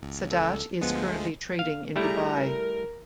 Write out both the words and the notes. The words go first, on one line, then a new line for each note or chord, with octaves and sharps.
Sadat is currently trading in Dubai.
C#2
A4
D2 F3 G#3 B3
A3
F5
G3 A3 E4 G4 G#4 A#5
A#4